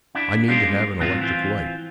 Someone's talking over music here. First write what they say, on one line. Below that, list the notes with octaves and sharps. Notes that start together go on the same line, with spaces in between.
"I mean to have an electric light."
D4 E4
G3 G#3 A#3 C#4 D4 F4
A2 D#3 F#3 C4 F4
E3 C4 F4